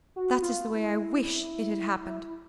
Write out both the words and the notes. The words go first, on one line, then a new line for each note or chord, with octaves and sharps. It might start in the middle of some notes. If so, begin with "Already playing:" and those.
That is the way I wish it had happened.
F#4
F4
E4